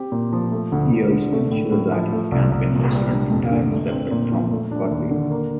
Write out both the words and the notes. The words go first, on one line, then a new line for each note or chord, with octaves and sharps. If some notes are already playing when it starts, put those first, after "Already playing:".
He also ensured that his campaign was run entirely separate from Corbyn.
Already playing: C4 G4
A#2
F3
A3
D2
D2
D3
A3
A2
A2
F3
A3
C2
C2
A#2
G3
D4
F2
D3
A3
C4
A#2
F3
A3
D4
D#2
D3
A#3